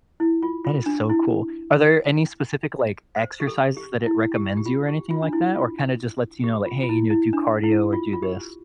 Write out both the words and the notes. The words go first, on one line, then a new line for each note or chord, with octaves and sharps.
That is so cool. Are there any specific, like, exercises that it recommends you or anything like that or kinda just lets you know like, "Hey, you know, do cardio or do this?"
E4
F4
F4
D4
E4
C5
G4
A4
G4
E4
G4
G4
F4
G4
F4
D4
E4
F4
G4
F4
F4
E4
E4
D4
E4
F4
F4
G4